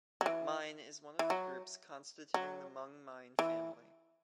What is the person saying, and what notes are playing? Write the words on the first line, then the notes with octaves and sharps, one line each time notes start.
Mine is one of the groups constituting the Hmong-Mien family.
F#3
E3
E3
F#3
F#3
E3